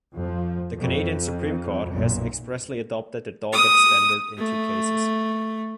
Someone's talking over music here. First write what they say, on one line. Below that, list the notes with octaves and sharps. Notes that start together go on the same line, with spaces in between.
The Canadian Supreme Court has expressly adopted the Daubert standard in two cases.
F2 F3
F2
B1 F#2 A#2
D#6
A3